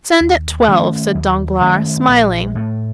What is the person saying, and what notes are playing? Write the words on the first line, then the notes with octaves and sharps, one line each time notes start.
"Send at twelve," said Danglars, smiling.
D#2
D#3 A3 C#4
D#2
D#3 A3 C#4
A#1
A2 A3